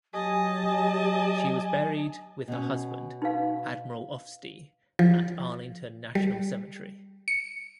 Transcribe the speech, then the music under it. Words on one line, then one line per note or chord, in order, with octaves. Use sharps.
She was buried with her husband, Admiral Ofstie, at Arlington National Cemetery.
F#3 G4 D#5 G#5 A5
B2 C#4
D#4 B4 F5
F3
G3
C#7